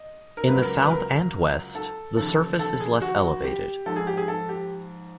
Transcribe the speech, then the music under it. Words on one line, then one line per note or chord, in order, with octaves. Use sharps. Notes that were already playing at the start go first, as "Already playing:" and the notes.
In the south and west, the surface is less elevated.
Already playing: D#5
A#4
C#2 C#3 F#3 B4
A#4
B4
B4
A#4
A4
D#2 C#3 F3 A4
A4
G#4
F#4
G4
G#2 F3 A4
G#4
G4
G#4
A4
G4